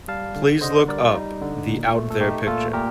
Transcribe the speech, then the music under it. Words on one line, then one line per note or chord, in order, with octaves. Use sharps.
Please look up the Out There picture.
G3 F5 A5
D3
D3 C5 D#5
G3 A#4 D5
F4
G3 D#4
D3
A#2
A3
A4
A3 D#4 G4
A#2 F4 A4
A#2 G4 A#4